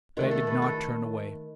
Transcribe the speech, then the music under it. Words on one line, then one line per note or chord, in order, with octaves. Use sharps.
But I did not turn away.
D#3 A3 F#4
A4
B4
A4